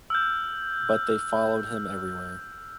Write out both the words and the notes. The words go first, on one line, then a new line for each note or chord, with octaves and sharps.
But they followed him everywhere.
E6 F6 G6